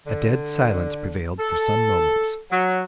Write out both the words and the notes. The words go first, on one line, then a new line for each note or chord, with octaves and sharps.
A dead silence prevailed for some moments.
D3
A4
F#3